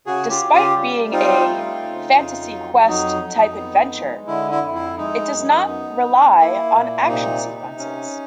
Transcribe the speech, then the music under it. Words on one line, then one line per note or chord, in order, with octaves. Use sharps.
Despite being a "fantasy quest type adventure", it does not rely on action sequences.
C#3 F#4 G#4
F4 G4
C#3
F4 G4
G3
C4 D#4 F4
A3
C#3
F2
F#3
F2 D#4
F2
B3
G#3
D3 E4
E4
F2
E4
G#3 D#4
F#2
B3
B3
A#3 E4
A#2
C3 D#4
C3
C#4